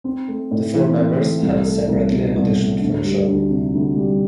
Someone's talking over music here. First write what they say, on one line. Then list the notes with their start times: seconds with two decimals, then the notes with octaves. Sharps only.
The four members had separately auditioned for the show.
0.04 C4
0.28 A3
0.51 A2
0.74 E3
0.97 C4
1.20 A3
1.42 C2
1.66 A3
1.89 C2
2.12 B2
2.35 C2
2.58 A3
2.81 D2
3.04 G3
3.28 D2
3.50 C3
3.74 D2
3.96 G3